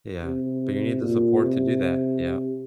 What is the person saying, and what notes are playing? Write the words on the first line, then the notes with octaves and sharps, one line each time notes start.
Yeah, but you need the support to do that, yup.
C3
A#2
C3